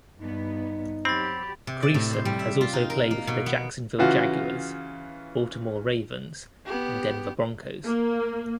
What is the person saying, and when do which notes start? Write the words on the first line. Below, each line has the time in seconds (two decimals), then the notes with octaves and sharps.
Greisen has also played for the Jacksonville Jaguars, Baltimore Ravens and Denver Broncos.
0.21 G2 B3 D#4
1.05 F#3 C4 G4 B5 A6
1.67 C3
1.83 D5
1.94 A2
2.13 C5
2.25 G3
2.39 E5
2.61 F4
2.73 D#4
2.90 A#4
3.11 A#3
3.27 B2
3.46 B3
3.99 C#3 E3 F4 F#4
6.66 B3 G4
7.84 A#3